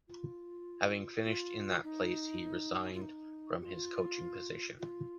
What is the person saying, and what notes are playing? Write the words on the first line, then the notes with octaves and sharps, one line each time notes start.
Having finished in that place, he resigned from his coaching position.
F4
F4
D#4
F4
D#4
G4
F4
F4